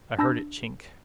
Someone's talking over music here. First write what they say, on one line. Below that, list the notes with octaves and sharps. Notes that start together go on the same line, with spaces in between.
I heard it chink.
D4 A5 B5 E6 G6 A#6